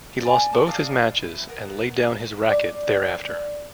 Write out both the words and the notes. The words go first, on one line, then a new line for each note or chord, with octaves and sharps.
He lost both his matches and laid down his racket thereafter.
D5 G#5
A5 D6
D5 D#5 F5 A5
E4
B3 A#4
D5